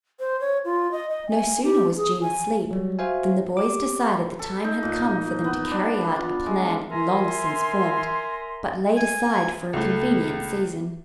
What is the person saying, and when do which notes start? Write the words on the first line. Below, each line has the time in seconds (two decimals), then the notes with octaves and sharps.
No sooner was Jean asleep than the boys decided the time had come for them to carry out a plan long since formed, but laid aside for a convenient season.
0.20 C5
0.41 C#5
0.65 F4
0.92 D#5
1.10 D#5
1.30 G#5
1.64 G4
1.97 G#4
2.21 G#5
2.71 F#3 G3
2.99 F#4 C5 E5 F5 G#5
3.57 G4 D6
4.39 A4
4.64 D#4
4.83 A#2
5.04 D#4
5.44 B3
5.71 D4
6.16 F4
6.46 G#3
6.90 A#4 E5 G#5 A#5 C6
8.96 G#5
9.73 C#2 A3